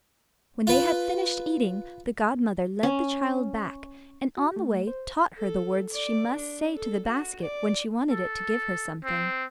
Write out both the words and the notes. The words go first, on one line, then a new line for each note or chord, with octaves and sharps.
When they had finished eating, the godmother led the child back, and on the way taught her the words she must say to the basket when she wanted it to give her something.
F4 B4
C#4
F#4
A3
C5
A4
D5
D4
A4
F#4
D5
A4
C4